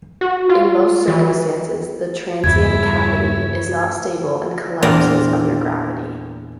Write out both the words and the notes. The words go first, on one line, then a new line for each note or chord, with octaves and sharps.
In most circumstances, the transient cavity is not stable and collapses under gravity.
F#4
F4
E3
E2 G2 C#3 G3 E4 C#5 G#6
E2 A#2 C4 D4 F4 A#5